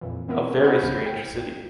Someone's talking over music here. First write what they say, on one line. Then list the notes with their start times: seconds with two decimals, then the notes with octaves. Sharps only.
A very strange city.
0.01 F2 A#2 E3
0.28 G#3 B3 C4 E4 A#4
0.62 C5 D#5 F#5 B5 F6 G6
1.05 G5